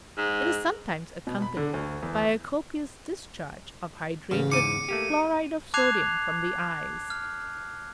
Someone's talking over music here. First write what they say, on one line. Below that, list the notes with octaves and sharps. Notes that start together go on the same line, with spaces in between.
It is sometimes accompanied by a copious discharge of hydrated chloride of sodium from the eyes.
G#2
B2
B5
D3
D2
E2
A1 C#3
E2 G#2 D6 C#7 D#7
A3 A#3 G4
A5 D6 F#6 G#6 C7 F7
F6